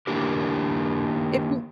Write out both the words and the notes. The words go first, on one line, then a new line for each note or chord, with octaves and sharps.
if you
D#3 A#3 D4 G4 A#4